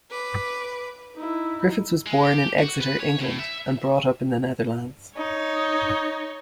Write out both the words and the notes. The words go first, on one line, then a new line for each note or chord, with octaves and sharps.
Griffiths was born in Exeter, England, and brought up in the Netherlands.
B4 D6
D#4 E4
G#3
G4
F#4
B4
C#5
A2
E5
D#4 C#5